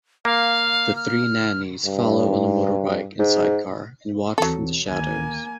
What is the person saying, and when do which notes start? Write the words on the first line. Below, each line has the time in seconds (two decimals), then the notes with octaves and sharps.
The three nannies follow on a motorbike and sidecar and watch from the shadows.
0.25 A#3 F5
0.96 F6
1.85 G2
3.19 G#2
4.38 D#2 E3 F#3 C4 A4
4.88 D2 D#3 A#3 G#5